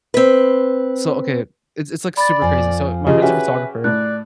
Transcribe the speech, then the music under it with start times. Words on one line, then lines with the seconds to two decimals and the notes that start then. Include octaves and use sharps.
so okay. It's it's like super crazy, so my friend's a photographer,
0.14 C4 B4
2.17 D5 B5 A6
2.42 F2 F3 G#5
3.07 C#3 F3 G4 G#4 D#5
3.22 C#4 F#4 G4 B4 E5 G#5
3.84 A2 D5 F#6